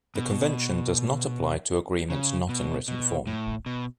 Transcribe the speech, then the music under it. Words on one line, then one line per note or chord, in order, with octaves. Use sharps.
The Convention does not apply to agreements not in written form.
B2
C#3
B2
B2
A2
B2